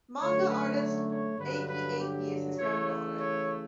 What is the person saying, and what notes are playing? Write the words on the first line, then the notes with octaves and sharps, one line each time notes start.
Manga artist Eiki Eiki is his granddaughter.
F#2 D3 A3 C#5
B4
C#5
C#5
G2 D3 F#3 B4
B4
G4
C#3 E3 A3 C#5
C#5